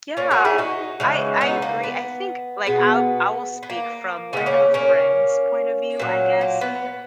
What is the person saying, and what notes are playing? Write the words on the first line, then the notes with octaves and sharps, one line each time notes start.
Yeah, I I agree. I think like I'll I will speak from like a friend's point of view, I guess.
A#3 C#4
F#4 A#4
E4 G#4
D#4 F#4
C#3 E3 G#3
B3 D#4
A#3
B3
B2 G#3 B3
B3
A#3
C#3 G#3 B3
A#3 C#4
A#3 C#4
A#2 F#3
A#3
B3